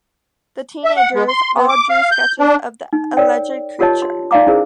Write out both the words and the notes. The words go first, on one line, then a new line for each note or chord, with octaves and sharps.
The teenagers all drew sketches of the alleged creature.
E5
F#5
G#3
C6
B3
D6
F5
G6
D4
D#4
A#4 C#5 D5 G5
F4 G4 A#4 C#5 D#5 A5
C6
D#4 D5 E5 F5 A#5 D6
C#4 E4 G#4 A#4 C5